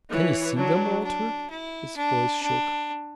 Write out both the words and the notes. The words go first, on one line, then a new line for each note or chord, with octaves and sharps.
"Can you see them, Walter?" His voice shook.
E3 C#5
F#3 D4
D4
E4
D4
D4